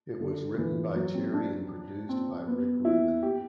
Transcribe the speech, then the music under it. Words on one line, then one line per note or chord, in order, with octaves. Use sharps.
It was written by Cherry and produced by Rick Rubin.
D3
E3
F#3
C4
D4
C4
B3
E4
G4